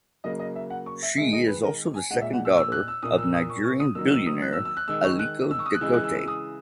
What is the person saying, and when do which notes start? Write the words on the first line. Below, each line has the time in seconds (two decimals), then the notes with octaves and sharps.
She is also the second daughter of Nigerian billionaire Aliko Dangote.
0.24 C#3 F#3 A#3 D#5
0.39 D#5
0.55 E5
0.70 F#5
0.86 C#6
1.02 E5
1.17 D#3 E5
1.20 G#3
1.33 D#5
1.48 B4
1.63 A#4
1.94 G#5
2.10 G#3 F#5
2.13 A#2
2.21 E5
2.34 F#5
2.45 E6
2.57 E6
2.72 F#6
2.88 E6
3.03 A#2 A#3 D#6
3.18 E6
3.34 D#6
3.50 C#6
3.64 C#6
3.80 D#6
3.95 D#3 F#3 A#3 E6
4.11 E6
4.26 D#6
4.42 F#6
4.53 E6
4.65 E6
4.77 F#6
4.88 D#3 G#3 E6
5.04 C#6
5.19 F#6
5.51 E6
5.59 C#6
5.66 D#6
5.75 F#6
5.81 C#3 E3 G#3 E6
5.93 F#6
6.04 E6
6.16 E6
6.28 D#6